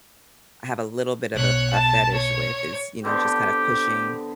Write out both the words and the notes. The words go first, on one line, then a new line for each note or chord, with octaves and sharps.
I have a little bit of a a fetish with is, you know, just kind of pushing
B1 C#5 F#6
A5
C#5
D3 B3 C4 G4